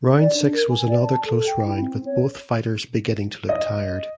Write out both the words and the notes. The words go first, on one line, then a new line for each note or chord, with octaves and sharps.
Round six was another close round with both fighters beginning to look tired.
D5
D4
A#4
G#5
D5
A5
A4
G5
E4
C4
C#5
D#5